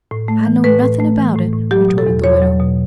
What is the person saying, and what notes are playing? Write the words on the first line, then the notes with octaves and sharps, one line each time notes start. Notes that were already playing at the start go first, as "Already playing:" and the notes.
"I know nothing about it," retorted the widow.
A2
A3
E3
A2 B4
A2
A3
E3
A2
A2
F#3 G4
B2
A4
E2
E2 C#5
F#3
B2